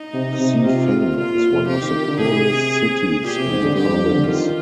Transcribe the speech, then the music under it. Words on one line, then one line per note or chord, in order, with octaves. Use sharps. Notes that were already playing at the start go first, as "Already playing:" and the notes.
Xifeng is one of the poorest cities in the province.
Already playing: D#4
C3
C3
C3 F4
A#2 F4
A#2
C3
C3 G4
D#3
D#3
D3
C3 G#4
A#2 G4
C3
G#2
D3
G2 G4
F2
D3
D#3 F4